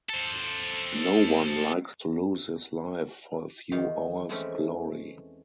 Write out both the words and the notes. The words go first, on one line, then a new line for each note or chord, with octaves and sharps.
No one likes to lose his life for a few hours' glory.
A4 C5
E2 D#3 D#4 F5
E3 G#3 A3 C4 C#4 E4